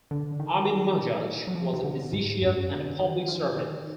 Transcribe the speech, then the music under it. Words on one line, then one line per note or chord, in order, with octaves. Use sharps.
Amin Majaj was a physician and a public servant.
D3
D#3
F#3
F3
D#3
D3
G#2
F#2
D3
D#3
F3
D#3